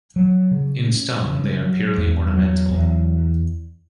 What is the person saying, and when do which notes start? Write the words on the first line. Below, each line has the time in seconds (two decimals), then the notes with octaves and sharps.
In stone they are purely ornamental.
0.16 F#3
0.51 C#3
0.88 C#4
1.25 C#3
1.61 F#3
1.97 E2
2.34 F#3
2.70 E2